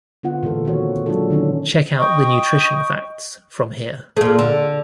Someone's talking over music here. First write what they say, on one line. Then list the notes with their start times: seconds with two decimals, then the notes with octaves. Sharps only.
Check out the Nutrition facts from here.
0.23 D3 B3 F4 F#5
0.43 A#2 E3 G#3 A4 A#4
0.65 D#3 C4 F#4 C#5
1.06 F#3 G#3 D4 F4 F#4 A4
1.30 D3 D#3 C#4 D#4
1.97 D#5 G5 C#6 D#6
4.17 A#2 A3 G#4
4.39 D3 A5